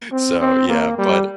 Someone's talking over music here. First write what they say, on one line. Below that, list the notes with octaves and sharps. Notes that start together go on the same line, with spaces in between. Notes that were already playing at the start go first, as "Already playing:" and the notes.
so, yeah, but
C4
C4
A#3
G3